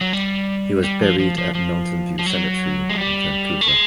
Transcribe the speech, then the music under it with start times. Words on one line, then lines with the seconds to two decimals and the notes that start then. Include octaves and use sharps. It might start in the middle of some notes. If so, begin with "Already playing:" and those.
He was buried at Mountain View Cemetery in Vancouver.
0.01 F#3
0.13 G3
0.84 G3
1.02 F3
1.19 F3
1.38 F3
1.55 F3
2.19 F3
2.26 F#3
2.90 G#3
2.97 G3
3.61 A3
3.68 G#3